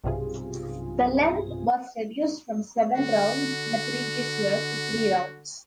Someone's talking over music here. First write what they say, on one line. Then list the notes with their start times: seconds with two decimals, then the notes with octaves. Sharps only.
The length was reduced from seven rounds in the previous year to three rounds.
0.04 B1 G2 C3 F4 G#4
2.95 D3 F#4